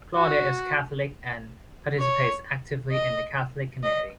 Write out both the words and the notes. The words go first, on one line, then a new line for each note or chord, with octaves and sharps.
Claudia is Catholic and participates actively in the Catholic community.
F#4
C#5
D#5
D#5